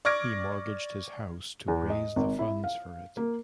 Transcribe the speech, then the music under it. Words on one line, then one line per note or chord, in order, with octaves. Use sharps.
He mortgaged his house to raise the funds for it.
D5 C#6 F6 G#6 A#6 D7
E2
D#5
G#1
E4
F5
A#3